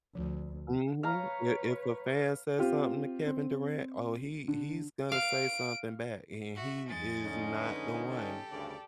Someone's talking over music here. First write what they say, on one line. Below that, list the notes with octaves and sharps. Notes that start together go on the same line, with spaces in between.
Mhm. I if a fan says something to Kevin Durant, oh, he he's gonna say something back, and he is not the one,
D2 F3
B4 C#5 F5 A#5
C4 F4 G4
C4
D3
F5 D7
F#4 E5
F2 G#3 A6
D3 C#4 D#4
B4
G4 A4
D2 G2 C#3 D5